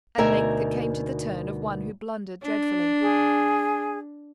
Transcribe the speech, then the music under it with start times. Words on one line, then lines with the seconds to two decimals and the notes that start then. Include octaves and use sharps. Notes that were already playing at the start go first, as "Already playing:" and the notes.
At length it came to the turn of one who blundered dreadfully.
0.18 D2 B2 D#4 A#4 E5 G#5
2.43 D4
3.01 G#4